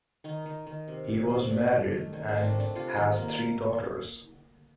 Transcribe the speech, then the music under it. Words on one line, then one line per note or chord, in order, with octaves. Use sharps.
He was married and has three daughters.
D#3 D#4
D#3
D#3
C3
C3
C3
A3 D4
A3
D#3
D#3
D4
A3 C4
D4
A3
D4
C3 F4
D#3
A#3